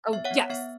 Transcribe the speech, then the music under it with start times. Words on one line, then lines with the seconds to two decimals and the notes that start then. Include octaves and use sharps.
Oh, yes!
0.13 B3 E5
0.25 C#5 F#5
0.31 B3
0.50 B3 E5